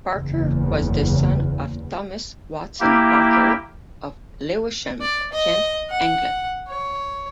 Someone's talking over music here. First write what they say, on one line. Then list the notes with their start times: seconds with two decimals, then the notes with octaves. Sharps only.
Parker was the son of Thomas Watson Parker of Lewisham, Kent, England.
0.13 F#1 E2
2.80 A#3 E4 G4
5.01 D5
5.32 D#5
5.90 F#5
6.68 C#5